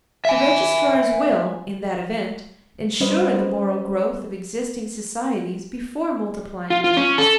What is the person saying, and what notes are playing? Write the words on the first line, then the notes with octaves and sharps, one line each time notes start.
The registrars will, in that event, ensure the moral growth of existing societies before multiplying them.
E5 G#5
G3 C#4 B4 C5 D#5
F4
F4
C#4
A4